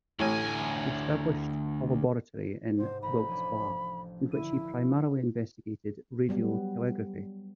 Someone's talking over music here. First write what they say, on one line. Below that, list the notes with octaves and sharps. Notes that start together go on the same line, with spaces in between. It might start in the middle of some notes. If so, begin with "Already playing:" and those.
He established a laboratory in Wilkes-Barre, in which he primarily investigated radiotelegraphy.
A1 D2 A2 G#5
G#2 C3 C5
A1 A#5 B5
F3 C#4 D4
D3 E4 D#7
F#3 G3 B3